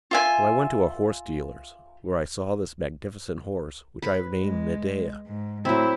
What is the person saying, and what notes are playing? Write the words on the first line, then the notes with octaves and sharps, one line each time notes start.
Well, I went to a horse dealer's, where I saw this magnificent horse, which I have named Medeah.
F4 E5 G#5
B4
G#3
G#2
A2 F#3 C4 E4